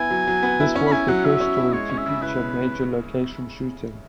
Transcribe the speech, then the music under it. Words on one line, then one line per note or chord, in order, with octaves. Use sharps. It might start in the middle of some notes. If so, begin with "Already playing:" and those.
This was the first story to feature major location shooting.
Already playing: B3 E4 G#5
F#3
F#3
B3
E4
C#4
B5
E4 G#5
F#3 F#5
F#3 E5
C#4
E4
G#3 C#5
C#4
E5
C#3
E4 B4